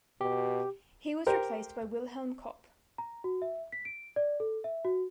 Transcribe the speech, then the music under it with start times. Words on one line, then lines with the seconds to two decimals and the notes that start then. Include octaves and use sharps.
He was replaced by Wilhelm Koppe.
0.21 B2 G4
1.27 G4 A#4 C5
2.98 A#5
3.24 F#4
3.42 E5
3.72 B6
3.85 D7
4.16 D5
4.40 A4
4.64 E5
4.85 F#4